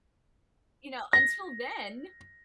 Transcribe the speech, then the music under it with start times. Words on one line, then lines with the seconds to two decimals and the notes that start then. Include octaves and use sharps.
you know, until then,
1.13 A#6